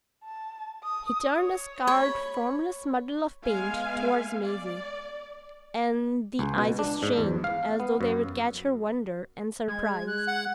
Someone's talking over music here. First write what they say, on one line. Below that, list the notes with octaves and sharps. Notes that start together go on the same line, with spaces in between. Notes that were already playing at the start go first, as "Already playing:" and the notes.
He turned a scarred formless muddle of paint towards Maisie, and the eyes strained as though they would catch her wonder and surprise.
A5
D#6
C#5
C#5 B5
G#3 B3 F5 G#5
D5
C#2
B2
D4
G#2
E2
F5
B3
F#2
G#3 G#6
F#6
F#5